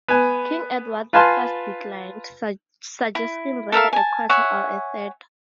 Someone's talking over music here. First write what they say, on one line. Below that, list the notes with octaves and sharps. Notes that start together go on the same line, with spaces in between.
King Edward the First declined, suggesting rather a quarter or a third.
B3 G#5
F4 B4 F5 G#5 A5 C6
E4
A4 A#4 E5 F5
G#5 A5
C#5 E5 F#5 G#5